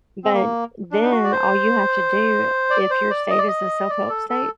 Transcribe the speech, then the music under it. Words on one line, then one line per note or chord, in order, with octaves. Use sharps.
But then all you have to do, if your state is a self-help state,
C4
A#3
D4
D#4
F#4
D5
C5
D5
C5
D5
D#5
D5
D#5
D5
A4
A4